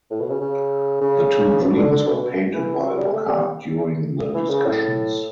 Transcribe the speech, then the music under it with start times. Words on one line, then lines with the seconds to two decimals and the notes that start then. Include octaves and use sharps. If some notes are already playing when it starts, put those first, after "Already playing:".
The two dreams were painted by Lockheart during the discussions.
0.10 A2
0.20 B2
0.30 C#3
0.41 C#3
1.01 C#3
1.62 B2
1.77 D3
1.92 D3
2.07 B2
2.22 B2
2.53 E3
2.83 F#3
2.98 G3
3.13 A3
3.29 G3
4.34 E3
4.50 C#3
4.65 A2